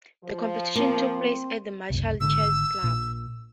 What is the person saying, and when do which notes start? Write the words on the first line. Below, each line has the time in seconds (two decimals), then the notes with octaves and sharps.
The competition took place at the Marshall Chess Club.
0.25 F3
0.75 A#3 C4
1.90 F#1 C2
2.20 G#1 B2 D3 E6
2.83 A#1 A#2